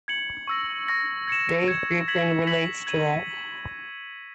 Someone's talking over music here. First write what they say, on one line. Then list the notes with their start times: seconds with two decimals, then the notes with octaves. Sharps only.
David Geffen relates to that.
0.08 G#6 C#7 F#7
0.47 C#6 E6 A#6
0.88 C#6 E6 A#6
1.28 G#6 C#7 E7
1.68 G#6 C#7 E7
2.08 G#6 B6 F#7
2.47 G#6 B6 F#7
2.87 G#6 D#7 F#7